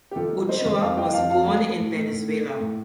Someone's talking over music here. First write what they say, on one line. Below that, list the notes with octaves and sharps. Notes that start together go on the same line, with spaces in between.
Ochoa was born in Venezuela.
G4
D#3 F4 A4
G3
G3 C5 D#5
D#3
F2 F5 A5
G3 D#5 G5
F2 F5 A5
F2 F5 A5
A3
A3
A2
A3
A2
A3
A3
A2